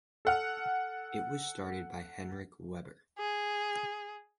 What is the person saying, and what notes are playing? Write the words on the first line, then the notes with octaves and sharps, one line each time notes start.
It was started by Henrik Weber.
A4 F#5 F6
G#4